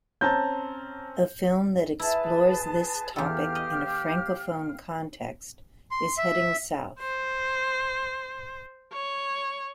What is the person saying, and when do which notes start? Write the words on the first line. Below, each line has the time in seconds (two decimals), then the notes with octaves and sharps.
A film that explores this topic in a Francophone context is "Heading South".
0.21 C4 C#4 A5 A#5 G6
1.99 E4 G#4 B4 A5
3.16 E2 G4 A4 F5 G5 F6
3.55 D#5
5.91 C6
6.18 E5
6.99 C5
8.93 C#5